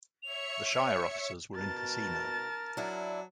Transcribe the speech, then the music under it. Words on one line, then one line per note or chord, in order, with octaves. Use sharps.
The shire offices were in Casino.
C#5 E5 C#7 F7
B2 A#4 A5 A6
F#3 D4 E4